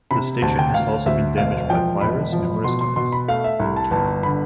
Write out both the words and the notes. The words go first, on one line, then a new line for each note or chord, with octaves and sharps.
The station has also been damaged by fires numerous times.
C3 B5
D2 A5
G5
D2 F5
D2 E5
E1 F5
F3 G5
E1 B5
F3
B2 C6
C6
B2 C6
B5
A3 F5
E5
C2
A5
G1 A5
D3 B5